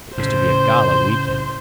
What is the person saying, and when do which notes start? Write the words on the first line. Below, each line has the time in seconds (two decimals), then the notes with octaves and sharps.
It was to be a gala weekend.
0.18 A2 C#3 C5